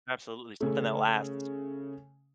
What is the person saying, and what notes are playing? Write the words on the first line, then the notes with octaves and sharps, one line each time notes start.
Absolutely, something that lasts.
C#3 A3